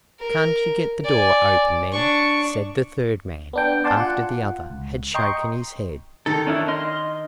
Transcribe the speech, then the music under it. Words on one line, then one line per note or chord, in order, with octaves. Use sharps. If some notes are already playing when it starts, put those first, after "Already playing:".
"Can't you get the door open, then?" said the third man, after the other had shaken his head.
A#4
D5 G#5
D4 C#6
B3 D4 G5
D5 F#5 G#5 A5 C6 D6
F4 F#5
C#2
D#5 G5 A#5 C6 C#6 C#7
D#3 A4 A#4
C#4 D4 E4
D#5 C6 F6